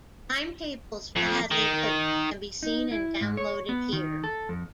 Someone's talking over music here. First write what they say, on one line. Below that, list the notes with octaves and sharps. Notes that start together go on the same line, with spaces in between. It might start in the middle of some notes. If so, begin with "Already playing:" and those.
Timetables for Hadley Wood can be seen and downloaded here.
F2
D#3
D#4
E4
G#2
C#5
B3
D#3
A4
F2